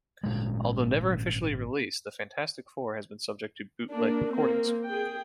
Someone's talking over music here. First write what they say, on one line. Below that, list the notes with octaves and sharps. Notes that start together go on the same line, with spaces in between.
Although never officially released, "The Fantastic Four" has been subject to bootleg recordings.
G#1 A#2 G#3
A#3 D4
A#3 C4
G#4 G5